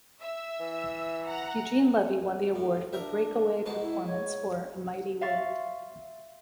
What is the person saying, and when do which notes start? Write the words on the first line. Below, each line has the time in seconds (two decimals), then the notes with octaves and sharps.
Eugene Levy won the award for Breakaway Performance for "A Mighty Wind".
0.21 E5 E6
0.59 E3
1.26 F#5 A#5
2.55 A2
2.93 D4 A#4 E5
3.66 G#2 B2 A5
3.82 E4
4.06 C#5
5.21 E5 F5 C6 C#6 A6